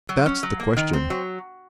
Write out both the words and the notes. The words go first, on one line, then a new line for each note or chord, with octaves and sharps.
That's the question.'
F#3
C#4
F#3
A#3
D#3
C4
F#3